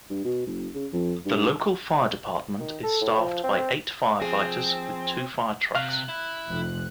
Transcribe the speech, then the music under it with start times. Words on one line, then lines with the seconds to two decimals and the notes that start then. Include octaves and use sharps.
The local Fire Department is staffed by eight fire fighters with two fire trucks.
0.10 G2
0.25 B2
0.47 F#1
0.75 C#3
0.93 F2
1.26 G2
2.60 D#3
2.83 A4
3.01 A2
3.17 F3
3.44 C4
4.21 F3 C4 G#4
5.75 C3 F5 F#6
6.09 E4
6.48 F1 F2